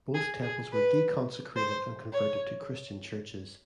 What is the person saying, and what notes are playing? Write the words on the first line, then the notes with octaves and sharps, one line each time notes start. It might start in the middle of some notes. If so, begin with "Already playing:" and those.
Both temples were deconsecrated and converted to Christian churches.
G#4
G#4
B4
C5
C#5